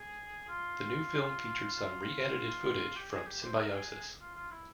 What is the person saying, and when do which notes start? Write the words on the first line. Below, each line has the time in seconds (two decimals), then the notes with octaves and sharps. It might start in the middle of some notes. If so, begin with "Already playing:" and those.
The new film featured some re-edited footage from "Symbiosis".
Already playing: G#4
0.48 F4
1.73 F4
2.96 G4
3.11 G#4
3.27 G4
3.43 C5
3.58 A#4
3.73 G#4
3.89 G#4
4.20 F4
4.35 F4
4.51 E4